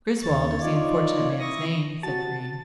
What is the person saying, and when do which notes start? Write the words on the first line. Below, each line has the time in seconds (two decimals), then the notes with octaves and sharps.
"Griswold is the unfortunate man's name," said Green.
0.23 D#2 C#5 A6
0.62 D#4 F4 C#5 D5
1.40 E4 C#6 D#6 A#6
2.03 C3 F#4 A5 A6